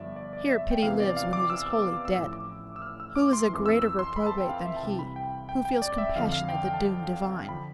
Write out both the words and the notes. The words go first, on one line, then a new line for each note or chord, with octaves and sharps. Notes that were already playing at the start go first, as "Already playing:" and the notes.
Here pity lives when it is wholly dead; Who is a greater reprobate than he Who feels compassion at the doom divine?
Already playing: G1 G2 F3 D5 E5
D5
D5
E5
G5
E2 C3 E3 F5
D5
F5
D6
E6
E6
D6
E6
A1 A2 F3 E6
D6
E6
F6
E6
D6
C6
F2 E3
E6
E6
C6
B5
A5
G5
F5
E5
A5
C2 C3 E3 G5
B5
G5
G5
G5
D5
E5
F2 D3 F3 F5
F5
G5
G5
A5
D3 F3 B5